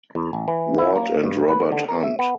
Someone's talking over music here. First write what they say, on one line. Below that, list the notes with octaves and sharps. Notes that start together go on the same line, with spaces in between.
Ward and Robert Hunt.
E2
A1
E3
E4
A#3
G2
B4
D3
A#4
E5
B3